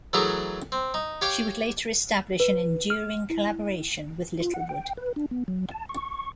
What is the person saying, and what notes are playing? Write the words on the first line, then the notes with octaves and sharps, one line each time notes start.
She would later establish an enduring collaboration with Littlewood.
E3 F#3 A3 E4 G#4 A#4
C4
D#4
G4 C#5 F5 G5 D6
B4
F6
E4
F4
F#5
G5
B4
D4
B3
F#3
A5
C#6